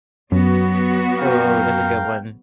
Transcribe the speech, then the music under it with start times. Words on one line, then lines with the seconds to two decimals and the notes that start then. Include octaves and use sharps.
Oh, that's a good one.
0.32 F#2 F#3 B3 F#4
1.19 A#4 F5 G5